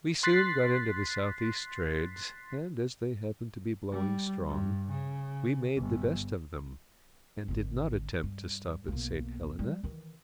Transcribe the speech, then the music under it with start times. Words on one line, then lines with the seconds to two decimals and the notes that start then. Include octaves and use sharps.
We soon got into the south-east trades, and, as they happened to be blowing strong, we made the best of them, and did not attempt to stop at Saint Helena.
0.23 C6 F#6 A6 B6 C7
3.92 G3
4.49 G2
4.90 C#3
5.76 G1
7.48 G#1 D3
8.23 G2
8.88 B1 A#3
9.59 G3
9.83 D#3 E3